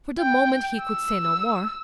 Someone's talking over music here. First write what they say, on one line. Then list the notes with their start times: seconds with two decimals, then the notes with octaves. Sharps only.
For the moment he could say no more.
0.19 G5
0.84 E6